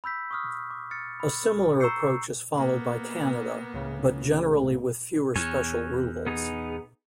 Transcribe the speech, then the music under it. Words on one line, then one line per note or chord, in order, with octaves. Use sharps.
A similar approach is followed by Canada, but generally with fewer special rules.
B5 E6 G6 B6
C#6 D#6 F6
D6
F6 A6 C#7
B5
A#5 C#6 E6 G6 C7 C#7
A#3 B3
C#2 A2 C#3
E2 C#5 G#5
B3 D#4 G#4